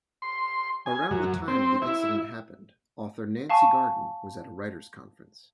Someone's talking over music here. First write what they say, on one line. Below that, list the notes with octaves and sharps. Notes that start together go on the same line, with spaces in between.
Around the time the incident happened, author Nancy Garden was at a writers' conference.
C6
G#5
F#2
C4
E4
F5 G#5 A5 C#6